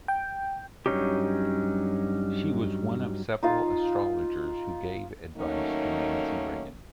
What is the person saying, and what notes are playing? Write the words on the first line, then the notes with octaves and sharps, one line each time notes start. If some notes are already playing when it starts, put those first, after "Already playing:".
She was one of several astrologers who gave advice to Nancy Reagan.
G5
G2 E3 F#3 C#4 D#4 G4
D#4 F4 F5
D#3 F#3 A3 A#3 C#4 D#4